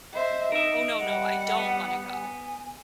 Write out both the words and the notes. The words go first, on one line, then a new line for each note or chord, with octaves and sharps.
"Oh, no, no, I don't wanna go,"
C5 D#5 E5
D#4 A#4 E5
G3 F#5
B3
G#5